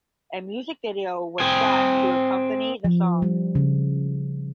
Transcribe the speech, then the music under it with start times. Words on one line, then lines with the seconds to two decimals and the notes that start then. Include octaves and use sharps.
A music video was shot to accompany the song.
1.40 C4 G#4
2.85 F3
3.22 G3
3.55 C#3